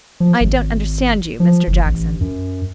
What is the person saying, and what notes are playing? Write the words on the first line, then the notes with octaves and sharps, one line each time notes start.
'I don't understand you, Mr Jackson.'
F3
G#1
F3
F#1
A1
F#2